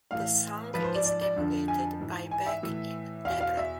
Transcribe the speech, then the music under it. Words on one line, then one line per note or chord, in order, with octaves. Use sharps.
The song is emulated by Beck in "Debra".
A2 E3 F5
G#2 F3 B4
C5
D5
D5
D5
F2 D3 F3
G#5
G#2 E3
G#5
E5
A2 E3
E2 B2 F5
F5
E5